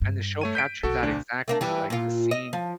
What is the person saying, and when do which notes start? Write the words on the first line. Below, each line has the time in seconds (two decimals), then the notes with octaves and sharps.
and the show captured that exactly. Like, the scene,
0.02 G2
0.41 A3 C#5 D#7
0.55 G6 B6 D7
0.83 B1 B3 F#4 A4
1.02 D2 D4
1.48 A3 A#3 D4
1.61 E3 G3
1.90 A#2 F4
2.31 D#5
2.53 F3